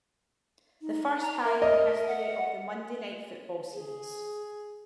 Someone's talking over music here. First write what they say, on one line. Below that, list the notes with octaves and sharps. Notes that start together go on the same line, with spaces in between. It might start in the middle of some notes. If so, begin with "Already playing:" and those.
The first tie in the history of the "Monday Night Football" series.
D#4
A#5
A#4 E5
D#5 E5
F#5
G#4